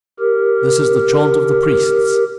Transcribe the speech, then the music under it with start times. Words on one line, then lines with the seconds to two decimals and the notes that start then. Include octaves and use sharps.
This is the chaunt of the Priests.
0.19 G4 A#4